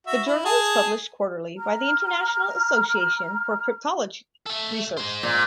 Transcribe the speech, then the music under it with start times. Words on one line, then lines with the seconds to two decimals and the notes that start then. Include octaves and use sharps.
The journal is published quarterly by the International Association for Cryptologic Research.
0.07 F#4 E5
0.26 E4
0.45 G#4 A5
1.59 A#5 F6
4.46 A3 A4
4.97 G#3 C5
5.23 A#2